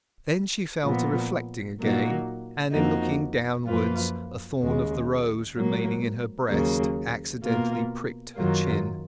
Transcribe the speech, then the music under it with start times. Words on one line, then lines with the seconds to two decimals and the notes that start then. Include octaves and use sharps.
Then she fell to reflecting again, and in looking downwards a thorn of the rose remaining in her breast accidentally pricked her chin.
0.84 A#2 F3 B3
1.78 A#2 F#3 A#3 D#4 F#4
2.72 F2 F3 A#3 D#4 F#4
3.66 F#2 F3 A#3 F4 B4
4.60 D#2 C#3 G#3
5.54 G#2 F#3 A#3
6.48 D#2 C#3 F#3 A#3
7.43 B2 A#3 F4 A#4
8.36 F#2 D#3 F#3 A#3 F4